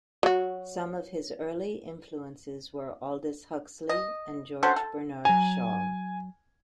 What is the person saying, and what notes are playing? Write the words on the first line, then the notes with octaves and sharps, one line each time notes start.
Some of his early influences were Aldous Huxley and George Bernard Shaw.
F#3 F#4
D#5
C#4 F#4 A4 C5
A4
F#3 G#5 A#5